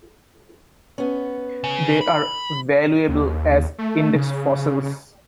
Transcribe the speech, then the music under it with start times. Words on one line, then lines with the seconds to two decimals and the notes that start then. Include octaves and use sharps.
They are valuable as index fossils.
0.98 B3 C#4
1.64 C#3
2.01 B5
3.09 D#2
3.78 A3
4.16 C#3